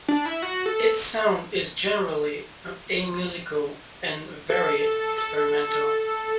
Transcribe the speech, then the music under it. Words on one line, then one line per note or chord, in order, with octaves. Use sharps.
Its sound is generally amusical, and very experimental.
D4
E4
F#4
A4
A4
A4